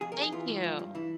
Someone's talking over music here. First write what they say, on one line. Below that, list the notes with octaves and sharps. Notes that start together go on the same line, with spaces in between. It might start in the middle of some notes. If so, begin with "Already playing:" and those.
Thank you.
F2 G#4
A#4
F2
G#4
E3 F4
G#2
F3
G2
E3 E4